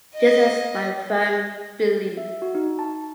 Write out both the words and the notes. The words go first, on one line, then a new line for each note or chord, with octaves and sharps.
This is my firm belief.
D#5
E5
F#4
D#4
A5